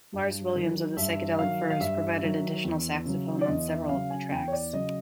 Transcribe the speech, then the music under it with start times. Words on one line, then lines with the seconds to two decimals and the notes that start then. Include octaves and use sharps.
Mars Williams of the Psychedelic Furs provided additional saxophone on several tracks.
0.13 G2
0.55 D#3 F#3
0.97 G2 E5
1.38 D#3 F#3 F5
1.70 F5
1.80 G2 E5
2.22 D#3 F#3
2.64 E2
3.06 C#3 F#3
3.41 D5
3.47 E2 D#5
3.68 E5
3.89 C#3 F#3 F5
4.10 G#5
4.31 E2 G5
4.48 C#5
4.52 D5
4.73 C#3 F#3 D#5